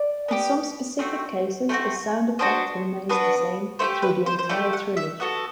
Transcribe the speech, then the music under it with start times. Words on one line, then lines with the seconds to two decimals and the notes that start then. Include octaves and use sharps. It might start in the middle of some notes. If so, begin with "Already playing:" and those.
In some specific cases, a sound effect remains the same through the entire trilogy.
Already playing: D5
0.28 B3 D4 G4
0.99 A3 C4 F#4
1.69 A3 C4 F#4
2.39 B3 D4 F#4 C5
3.09 B3 D4 F#4 B4
3.79 A3 E4 G4 C5
4.02 B4
4.26 C5
4.39 C5
4.49 A3 E4 G4 D5
4.73 F#5
4.97 E5
5.20 B3 F#4 A4 F#5